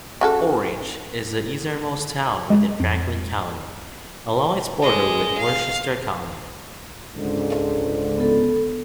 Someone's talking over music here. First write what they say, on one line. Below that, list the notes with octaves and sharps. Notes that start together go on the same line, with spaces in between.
Orange is the easternmost town within Franklin County along its border with Worcester County.
C#3 F#4 A4
G#3
F2
G#3 D#5
F5
C#2 G#2 D3
B3 A4